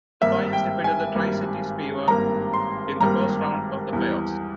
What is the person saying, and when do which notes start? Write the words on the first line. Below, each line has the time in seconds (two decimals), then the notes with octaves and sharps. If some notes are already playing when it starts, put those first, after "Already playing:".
The Pioneers defeated the Tri-Cities Fever in the first round of the playoffs.
0.22 G#1 G2 G3 A#3 E5
0.53 G5
0.84 G#5
1.15 G#1 G2 G3 A#3
2.08 G#1 G2 G3 A#3 A#5
2.53 C6
3.00 G#1 G2 G3 A#3 A#5
3.93 E2 E3 G3